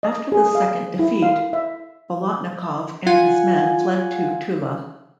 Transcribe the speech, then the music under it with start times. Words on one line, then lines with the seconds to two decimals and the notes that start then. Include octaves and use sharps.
After the second defeat, Bolotnikov and his men fled to Tula.
0.03 D#5
0.32 G#4
0.55 F5
0.99 E4
1.22 F5
1.53 E5
3.06 F4 F#5 G#5